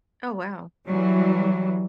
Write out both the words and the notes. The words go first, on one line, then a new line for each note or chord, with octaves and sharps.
Oh, wow.
E3 F#3 G3